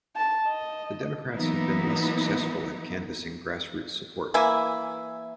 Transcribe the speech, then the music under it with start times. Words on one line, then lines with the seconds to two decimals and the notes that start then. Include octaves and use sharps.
The Democrats have been less successful at canvassing grass-roots support.
0.16 A5
0.48 D#5
1.34 E3 F#3 A#3 B3 D#4 E4
4.34 E3 A#3 E4 G#5